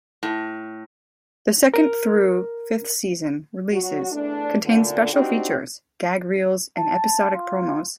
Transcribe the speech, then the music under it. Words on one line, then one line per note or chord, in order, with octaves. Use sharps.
The second through fifth season releases contain special features, gag reels and episodic promos.
A2
A#4
F#3 F#4
E2 A3 D4
D2 A#2 D3
C4 D4 D#4 F#4 G4
A5
F4